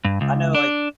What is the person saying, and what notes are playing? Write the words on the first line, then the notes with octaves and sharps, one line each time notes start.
I know, like
G2
C#2
D4